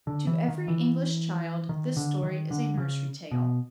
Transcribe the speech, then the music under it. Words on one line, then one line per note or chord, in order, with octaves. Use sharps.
To every English child this story is a nursery tale.
D3
E3
D#3
E3
D#3
D3
D#3
D3
C#3
B2